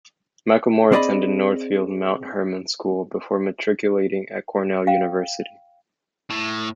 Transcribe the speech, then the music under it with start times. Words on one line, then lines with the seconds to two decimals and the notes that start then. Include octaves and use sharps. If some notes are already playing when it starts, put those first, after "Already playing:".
McLamore attended Northfield Mount Hermon School before matriculating at Cornell University.
0.92 C4 G#4 D5 D#5 G5 B5
4.87 F5 G5
6.31 A2